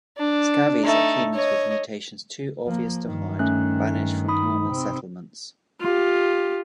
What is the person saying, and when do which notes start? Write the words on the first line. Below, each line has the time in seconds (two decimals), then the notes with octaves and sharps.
Scavvies are humans with mutations too obvious to hide, banished from normal settlements.
0.17 D4
0.84 A3 D#4
1.34 C#5 D#5
2.66 F3 A#3
3.05 G2 D#3
3.39 A3 C#4 F#6
4.28 D#4 B5 D#6
4.69 C3 C4
5.80 F4 G4